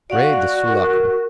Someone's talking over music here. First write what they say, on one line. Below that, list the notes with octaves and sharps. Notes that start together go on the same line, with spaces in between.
Rey de Sulaco!
F#4 D5 F5 F#5
A#4